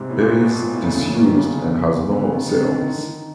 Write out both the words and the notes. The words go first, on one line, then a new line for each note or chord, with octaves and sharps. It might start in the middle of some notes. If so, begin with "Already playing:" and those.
It is disused and has no sails.
Already playing: G#2 C3
A2 B3
A#2
A#2
B2
A#2
G#2
A2 B3
C#3
C4
D3
C#3 A#3
D#3 B3
D3 A#3
C#3 B3
C#3
B3
C#3
D3
D3
C#3
D#3 C4
D#3 B3
C4
D3
D#3
D#3 D4
E4
D#4